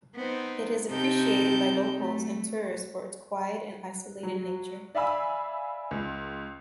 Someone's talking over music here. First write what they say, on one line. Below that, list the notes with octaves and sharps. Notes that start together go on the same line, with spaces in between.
It is appreciated by locals and tourists for its quiet and isolated nature.
B3 C4 D#4
C3 D#4 G4 A5 G6
A3
F#3
D5 E5 F5 G#5 B5 E6
C#2